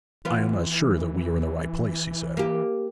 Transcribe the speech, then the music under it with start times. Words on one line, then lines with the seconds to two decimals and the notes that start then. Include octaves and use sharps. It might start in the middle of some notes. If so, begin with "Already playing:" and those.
'I am not sure that we are in the right place,' he said.
0.25 E3 B3 F4
2.37 A#3 G4